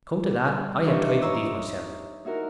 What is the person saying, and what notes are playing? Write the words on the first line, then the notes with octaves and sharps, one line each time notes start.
Come to that, I have title-deeds myself.
G3
D#3 E3 D4 F4 G4 C#5
C#5 A#5 C#6 D#6 E6
D#4 E4 F#4 A#4